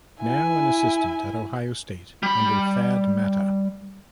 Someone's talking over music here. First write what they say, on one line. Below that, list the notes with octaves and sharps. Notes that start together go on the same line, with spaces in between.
Now an assistant at Ohio State under Thad Matta.
E4 G#5
G3 B5